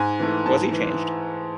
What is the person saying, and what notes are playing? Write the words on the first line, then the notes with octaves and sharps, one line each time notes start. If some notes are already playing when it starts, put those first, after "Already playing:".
Was he changed?
Already playing: G#2 G#5
E3 A3
G#2 A5
E3